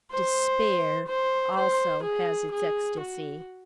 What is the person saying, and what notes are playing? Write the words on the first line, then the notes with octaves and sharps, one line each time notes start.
Despair, also, has its ecstasy.
C5
C5
C5
G#4
G#4
F#4